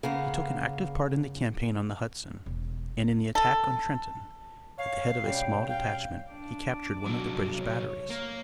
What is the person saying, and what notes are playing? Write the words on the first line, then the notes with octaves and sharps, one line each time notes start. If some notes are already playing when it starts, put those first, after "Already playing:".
He took an active part in the campaign on the Hudson, and in the attack on Trenton, at the head of a small detachment, he captured one of the British batteries.
C#3 A#3 B3
E1
A4
C#5 F5
B2 G3 C#4 G5
F5 G5
D4 D6
C2 F#3
C#5
A#3